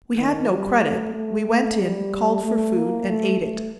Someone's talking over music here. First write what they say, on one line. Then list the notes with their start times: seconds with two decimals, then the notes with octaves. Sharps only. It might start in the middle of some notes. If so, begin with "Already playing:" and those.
We had no credit; we went in, called for food and ate it.
0.17 D#3
0.50 G3
0.82 A3
1.14 A3
1.79 G3
2.44 A3
2.77 A#3
3.09 A3
3.41 A3